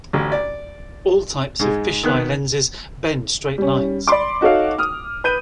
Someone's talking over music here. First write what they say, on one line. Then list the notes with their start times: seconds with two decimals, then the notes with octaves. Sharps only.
All types of fisheye lenses bend straight lines.
0.13 A1 D2
0.32 D5
1.59 G#2 G#3
2.03 D#3 B3 F#6
3.58 G3 C#4
4.07 D5 B5 C6 D6
4.41 D#4 F#4 A4 C#5 F5
4.78 D#6 F6
5.24 B4 G6 D#7